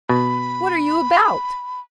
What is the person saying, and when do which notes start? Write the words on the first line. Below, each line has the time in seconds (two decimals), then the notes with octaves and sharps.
What are you about?'
0.09 B2 B5